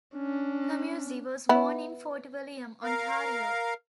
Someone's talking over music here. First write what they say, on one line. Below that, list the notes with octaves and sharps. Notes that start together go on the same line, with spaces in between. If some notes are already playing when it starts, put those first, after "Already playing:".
Comuzzi was born in Fort William, Ontario.
C#4 D4
B3 E4
A#4 F5